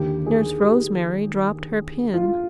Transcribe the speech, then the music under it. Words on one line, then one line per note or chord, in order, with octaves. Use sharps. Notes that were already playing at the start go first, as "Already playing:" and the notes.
Nurse Rosemary dropped her pen.
Already playing: D#2 D3 G4
G#4
G4
F4